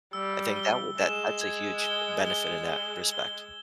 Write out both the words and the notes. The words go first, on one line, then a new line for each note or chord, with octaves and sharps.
I think that would that that's a huge benefit in that respect.
G3 E6
G7
G#3 E7
G#6
G7
G7
G7
G7